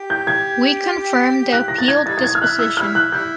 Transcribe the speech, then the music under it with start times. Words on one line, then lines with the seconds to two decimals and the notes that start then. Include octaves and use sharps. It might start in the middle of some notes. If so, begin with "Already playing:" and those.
We confirm the appealed disposition.
Already playing: G4
0.10 G6
0.27 G#6
1.53 F#6
1.68 A#6
1.78 A6
1.88 G#6
2.06 G3 D#4 A6
2.18 A6
2.24 G#6
2.35 F6
2.41 E4 F#6
2.59 E6
2.77 G3 E4 F6
2.95 F#6
3.12 G3 E4 G6